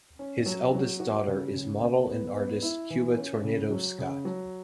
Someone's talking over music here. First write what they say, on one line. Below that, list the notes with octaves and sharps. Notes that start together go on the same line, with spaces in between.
His eldest daughter is model and artist Cuba Tornado Scott.
C#4
F#3
F#3
F#4
C#3
C#3
B3
B3
B3
E4
E3
C#4
C#3
F#3
C#3
F#3